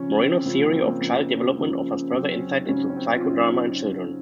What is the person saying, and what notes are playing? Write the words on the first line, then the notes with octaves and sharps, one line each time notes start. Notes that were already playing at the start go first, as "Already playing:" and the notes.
Moreno's theory of child development offers further insight into psychodrama and children.
Already playing: C#3 F3 C#4
C4
C#3 F3 C4
A#3
C4
A#3
C#3 F3
C#3 F3
C#3 F#3 C4
C#4
D#4
C#3 F#3 C#4
C#4
C4
F4
C#3 F#3 D#4
F4
F4